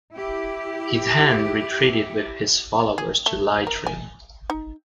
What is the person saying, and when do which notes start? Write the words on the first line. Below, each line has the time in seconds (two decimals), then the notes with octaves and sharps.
He then retreated with his followers to Leitrim.
0.14 E4 G4
2.98 G#4
3.26 A3
3.67 A#4
3.87 G#5
4.50 D#4